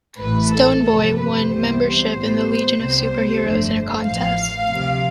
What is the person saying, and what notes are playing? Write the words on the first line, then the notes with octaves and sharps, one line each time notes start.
Stone Boy won membership in the Legion of Superheroes in a contest.
A1 A2 E3 B4
A4
G1 F2 C3 A4
B4
C2 C3 E3 G3 B3 C5
A1 A2 G3 B3
C2 C3 G3 B3
G1 F2 D3 A3
A1 A2 F3 F5
D2 C3 F3